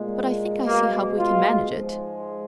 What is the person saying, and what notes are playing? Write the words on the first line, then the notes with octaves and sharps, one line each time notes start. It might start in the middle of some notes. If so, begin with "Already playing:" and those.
But I think I see how we can manage it.
Already playing: A#2 G#3
B2 G#3 A#3
F4
G#2 F3 G#3